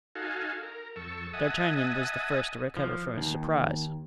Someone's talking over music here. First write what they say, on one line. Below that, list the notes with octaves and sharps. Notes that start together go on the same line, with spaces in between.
D'Artagnan was the first to recover from his surprise.
D#4 F#4 A4 F5 G#5
A#4
F2 A4 C#6 E6
D#5 E5 F#5 G#5 A5 D#6
F3
D#2